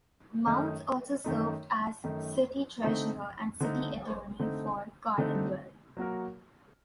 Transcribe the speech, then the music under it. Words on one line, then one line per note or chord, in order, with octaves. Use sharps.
Mounts also served as city treasurer and city attorney for Carlinville.
F#2 D#3 A3 D#4
F#2 D#3 A3 D#4
F#2 D#3 A3 D#4
D3 A3 C4 D#4
D3 A3 C4 D#4
D3 A3 C4 D#4
D3 A3 C4 D#4
F#3 A#3 F#4 A#4